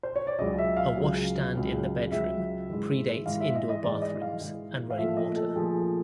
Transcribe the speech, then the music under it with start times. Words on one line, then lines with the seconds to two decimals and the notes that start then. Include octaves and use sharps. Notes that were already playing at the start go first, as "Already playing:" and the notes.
A washstand in the bedroom pre-dates indoor bathrooms and running water.
0.03 C5
0.16 C#5
0.27 D5
0.39 C#2 C#3 F#3 D#5
0.58 E5
0.77 F5
0.96 C#2 C#3 F#3
1.54 C#2 C#3 F#3
2.12 C#2 C#3 F#3 E5
2.69 G#2 E3 G#3
3.26 G#2 E3 G#3 F5
3.40 E5
3.55 D#5
3.69 D#5
3.83 G#2 E3 G#3 D5
4.02 D#5
4.21 F5
4.40 G#2 E3 G#3
4.90 F5
4.97 A#2 F3 A3 E5
5.17 D#5
5.36 A4
5.56 A#2 F3 A3 G#4